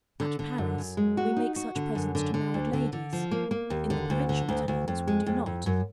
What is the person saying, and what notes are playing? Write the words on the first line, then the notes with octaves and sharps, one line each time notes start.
At Paris, we make such presents to married ladies; in the provincial towns, we do not.
D3
D3
F#2
F#2
G#3
F#4
D#4
F#4
D3
F#2
D3
D3
D2
D3
D3
F3
A#3
A#3
D#2
D3
D2
D3
D2
D2
F2
G#3
F2
F2
F#2